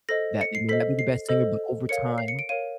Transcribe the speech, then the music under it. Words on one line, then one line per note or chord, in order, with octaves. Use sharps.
that they may not be the best singer, but over time,
A4 C5 D#5 A#6
C#7
C7
A4 C5 D#5 B6
C7
A4 C5 D#5
A#4 C#5 F5 C#7
C7
C#7
D7
A#4 C#5 F5 D#7